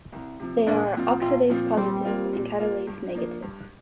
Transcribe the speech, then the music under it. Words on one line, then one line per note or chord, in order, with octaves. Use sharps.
They are oxidase positive and catalase negative.
C2
C3 F3
A#1 A#3 D4
A#2 F3 C4 F4
A#1 C4 F4
A#2 F3 C4 F4
A#2 G3 C4
A#3 F4
A#2
A#3 F4
G2
F3 A#3 D4
G2